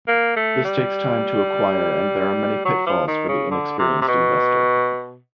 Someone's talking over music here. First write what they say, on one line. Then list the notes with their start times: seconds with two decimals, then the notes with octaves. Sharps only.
This takes time to acquire and there are many pitfalls for the inexperienced investor.
0.08 A#3
0.36 A3
0.65 G3
2.65 F#3
2.87 F3
3.08 D#3
3.29 C#3
3.51 D3
3.79 C3
4.02 C3
4.08 B2